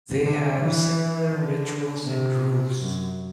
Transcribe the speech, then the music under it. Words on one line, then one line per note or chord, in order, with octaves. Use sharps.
They have similar rituals and rules.
D3
E3
D3
C3
F#2